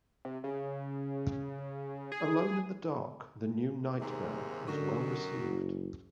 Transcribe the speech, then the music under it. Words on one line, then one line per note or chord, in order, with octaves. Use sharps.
"Alone in the Dark: The New Nightmare" was well received.
C3
C#3
G#4
D#2 G#2 C3
F#2 D3 D#3 F#4
F#1